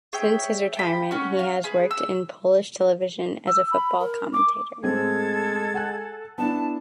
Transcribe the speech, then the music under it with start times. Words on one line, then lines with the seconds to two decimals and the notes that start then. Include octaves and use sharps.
Since his retirement, he has worked in Polish television as a football commentator.
0.13 G#4 C#5 E5 G5
0.75 G5 A5 B5
1.11 C#4 F#4
1.39 F5
1.64 G#4 B4
1.91 E6
3.47 E6
3.71 B5
3.99 A#4
4.33 D6
4.83 A2 G#3 C4 G#4 A4 G#6
5.74 F#5 G#5 F#6
6.38 B3 D4 E4 A5